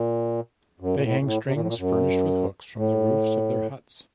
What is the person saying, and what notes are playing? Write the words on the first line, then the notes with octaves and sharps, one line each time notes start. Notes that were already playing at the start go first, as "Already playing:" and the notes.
They hang strings furnished with hooks from the roofs of their huts.
Already playing: A#2
F#2
A#2
A2
A#2
A2
C3
A#2
A2
A#2
F#2
A2